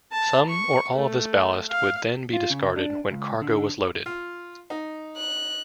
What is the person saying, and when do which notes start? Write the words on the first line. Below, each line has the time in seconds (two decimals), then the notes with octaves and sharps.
Some or all of this ballast would then be discarded when cargo was loaded.
0.12 A5
0.49 C#6
0.94 A3
1.70 F5
2.33 F4
2.50 C#3
2.76 D4
3.11 C#2
3.42 D3
4.06 F4
4.70 D#4
5.18 F#6